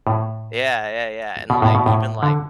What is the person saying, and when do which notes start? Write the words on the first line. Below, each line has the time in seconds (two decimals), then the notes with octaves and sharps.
Yeah, yeah, yeah, and, like, even, like,
0.07 A2
1.50 B2
1.62 A2
1.75 B2
1.86 A2
2.23 D3